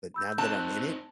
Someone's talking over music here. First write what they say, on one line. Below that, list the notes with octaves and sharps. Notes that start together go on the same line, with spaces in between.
But now that I'm in it,
B5 E6 G6
C4 D#4 A5 F#6